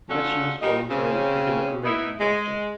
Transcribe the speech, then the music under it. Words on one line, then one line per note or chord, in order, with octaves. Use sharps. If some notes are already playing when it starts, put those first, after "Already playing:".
But she was falling for an African-American doctor.
A3 C#4 D4 F4 F#4 A4
A#2 G3 D#4 D#5
C#3 C4 C#4
B3 D#4 E4
G#3